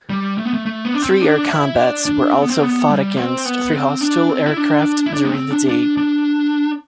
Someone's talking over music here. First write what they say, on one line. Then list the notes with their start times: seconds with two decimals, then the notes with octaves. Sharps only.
Three air combats were also fought against three hostile aircraft during the day.
0.10 G3
0.38 A3
0.45 B3
0.54 A3
0.66 A3
0.85 B3
0.94 D4
1.02 C4
1.21 D4
1.50 E4
1.77 D4
2.06 D4
2.33 C4
2.42 B3
2.50 C4
2.61 B3
2.89 G3
3.17 C4
3.45 B3
3.73 C4
4.01 D4
4.29 C4
4.46 E4
4.57 D4
5.06 E4
5.13 D4
5.24 B3
5.32 C4
5.51 D4
5.69 D4
5.97 D4